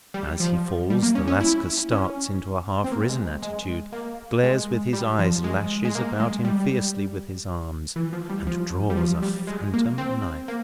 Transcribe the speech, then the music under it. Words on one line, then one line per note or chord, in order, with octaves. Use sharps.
As he falls, the Lascar starts into a half-risen attitude, glares with his eyes, lashes about him fiercely with his arms, and draws a phantom knife.
G3
F3
G3
A#3
C#4
C#4
E4
C#4
C4
A#3
G#3
G#3
A#3
G#3
G3
F3
G#3
G#3
A#3
G#3
G3
E3
F3
G3
F3
G3
F3
G3
G#3
A#3
C4
A#3